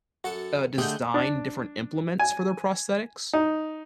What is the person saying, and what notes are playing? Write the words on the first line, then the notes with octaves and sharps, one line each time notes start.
uh, design different implements for their prosthetics
F#2 F#4 A4 A5 C#7
D3 A3 G4 G#4 D#5 F#5 G6
D4
G#5
D#4